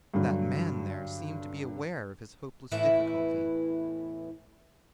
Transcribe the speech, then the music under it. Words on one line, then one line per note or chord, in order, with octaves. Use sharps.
That man there seemed to be aware of his hopeless difficulty.
G2 D3 F#3
E2 A2 E3 E4 B4 E5